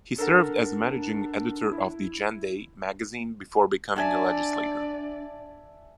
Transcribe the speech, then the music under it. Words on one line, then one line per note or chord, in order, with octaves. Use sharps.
He served as managing editor of the "Gendai" magazine before becoming a legislator.
D4 A4 A#4 F#5
E4
D4 D5 E5 G#5 A5